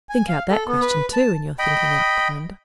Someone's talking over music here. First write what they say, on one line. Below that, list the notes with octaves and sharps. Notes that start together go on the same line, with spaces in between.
"Think out that question, too, in your thinking out, Clorinda."
G#5
F5
A4
B3
B4
A5
D#5 G5 B5